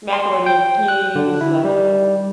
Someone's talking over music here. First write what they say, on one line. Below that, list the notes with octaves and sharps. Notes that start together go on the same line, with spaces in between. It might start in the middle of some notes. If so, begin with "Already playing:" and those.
Macaroni and cheese, um
C6
G5
F#6
D3
E4
G3